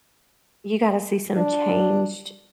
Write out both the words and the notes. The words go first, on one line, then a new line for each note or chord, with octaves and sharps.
you gotta see some changed
D4